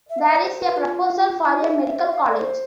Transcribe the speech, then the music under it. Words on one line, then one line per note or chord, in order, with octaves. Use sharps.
There is a proposal for a Medical College.
E5
F5
E5
D5
C5
B4
F4
E4
F4
G#4
E5
F5
E5
C5
E5
F5
D5
C5